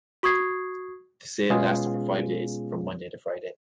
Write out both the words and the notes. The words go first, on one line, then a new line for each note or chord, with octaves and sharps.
The sale lasted for five days, from Monday to Friday.
F#4 C#6 D#6 G#6 C7
B2 G#3 B3 C#4 F4 G#4